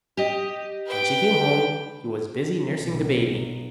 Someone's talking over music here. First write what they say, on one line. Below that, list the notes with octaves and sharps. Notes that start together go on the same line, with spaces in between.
When she came home, he was busy nursing the baby.
G4 D#5
B4 G5
B1